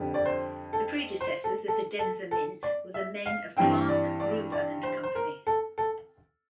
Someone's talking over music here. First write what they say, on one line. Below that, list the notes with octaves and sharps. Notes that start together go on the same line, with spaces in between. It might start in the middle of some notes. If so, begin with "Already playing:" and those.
The predecessors of the Denver Mint were the men of Clark, Gruber and Company.
Already playing: F2 D3 G3
D5
C5
A4
C5
A4
A4
A4
A4
D5
E5
F5
G2 E3 G3 C4 G5
D5
D5
D5
C5
C5
A#4
A4
A4